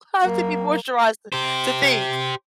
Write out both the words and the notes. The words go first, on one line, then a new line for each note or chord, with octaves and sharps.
I have to be moisturized, to to think.
F#3 A#3
G4 C5